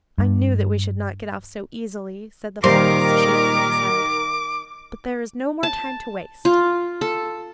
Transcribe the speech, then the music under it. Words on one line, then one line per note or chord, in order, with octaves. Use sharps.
'I knew that we should not get off so easily,' said the fox, shaking his head; 'but there is no more time to waste.
G2
A#2 D#3 G3 A#4 C5 F5 C6 D6
A5
F4
A4